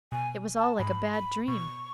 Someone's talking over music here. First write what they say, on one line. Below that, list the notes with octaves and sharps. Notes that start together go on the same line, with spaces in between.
It was all like a bad dream.
B2 G#5
A5
G#2 B5
B5
B2 C#6